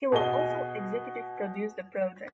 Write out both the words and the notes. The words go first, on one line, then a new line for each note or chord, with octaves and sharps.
He will also executive produce the project.
B2 G#4 D#5 G7